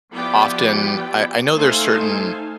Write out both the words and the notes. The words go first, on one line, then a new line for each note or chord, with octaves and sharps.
often, I I know there's certain,
F3 B3 E4 G4 D5 G5
A3 D#4 A4 C5 F5 G#5